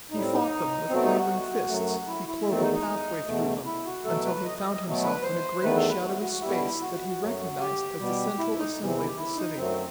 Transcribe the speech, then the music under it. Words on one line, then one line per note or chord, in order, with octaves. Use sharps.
He fought them with flailing fists, he clove a pathway through them, until he found himself in a great shadowy space that he recognized as the central assembly of the city.
A2 G3 D#4
C4
D#4
B2 F#3 A3 C4
D#4
F#4
F#2 F#3 A3
E4
E4
E2 D#3 A3 C4
D#4
D#4
E2 B2 A3
E4
F#4
B2 F#3 A3 A4
B4
D#5
D#5
D#5
B2 F#3 A3
B4
C5
E2 D#3 A3 B4
A4
B4
F#4
F#4
B2 G3 E4
F#4
F#2 F#3 A3
G4
B2 G3
E4
D#4
E2 C3 E3
C4
E4
G4
E4
D#4
F#2 F#3 A3 C4